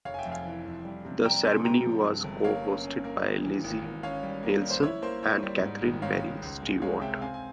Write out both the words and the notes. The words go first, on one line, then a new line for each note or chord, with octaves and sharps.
The ceremony was co-hosted by Leslie Nielsen and Catherine Mary Stewart.
F1 C#5 F5
G#5
E5 G5
F2
F5 G#5
E3
F2
G3
C3
G3 G5 A#5
C3 G#5 C6
G#3 G5 A#5
F3
G2
G1
A#3 C#5 F5
C#4
C#4
A#3
G#1
E3
G#1
G#1
C#4 C#5 F5
G3
A#3
G3
C5
E4 C#5
A#3 C5
E4 C#5
G3
G#2
G#1
G#2 C#5 F5
G#2
C#2
G#3
G#3 C#5 F5
C3 E5 G5
C4 F5 G#5
G#5